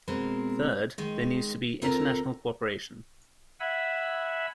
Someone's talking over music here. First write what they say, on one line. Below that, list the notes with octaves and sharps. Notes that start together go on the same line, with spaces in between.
Third, there needs to be international co-operation.
B2 G#3 C4 A#4
D#3 G#3
D2 C4 F4 A4 A#4 A#5
E5 F#5 G#5 B5 E6